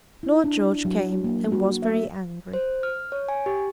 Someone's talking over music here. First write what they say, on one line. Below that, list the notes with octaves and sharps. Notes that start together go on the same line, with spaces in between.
Lord George came and was very angry.
E4
D4
F#3
A#3
F#4
E5
C5
F6
C#5
G#5
G4